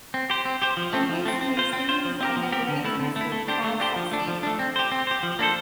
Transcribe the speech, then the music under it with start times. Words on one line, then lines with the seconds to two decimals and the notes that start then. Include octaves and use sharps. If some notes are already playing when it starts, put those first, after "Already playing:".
In this he seems in a great measure to have succeeded.
0.14 C4
0.30 G4 C5
0.45 C4
0.62 G4 C5
0.77 F3
0.93 A3 C4
1.09 F3
1.25 A3 C4
1.41 C4
1.57 F4 C5
1.73 C4
1.89 F4 C5
2.05 F3
2.20 C4 G4 A#4
2.36 F3
2.52 C4 G4 A#4
2.68 D3
2.84 A3 E4
3.00 D3
3.16 A3 E4
3.32 A3
3.48 D4 G4 C5
3.64 A3
3.80 D4 G4 C5
3.96 F3
4.11 A3 D4
4.28 F3
4.43 A3 D4
4.59 C4
4.76 G4 C5
4.92 C4
5.07 G4 C5
5.23 F3
5.39 A#3 D4 A4 C5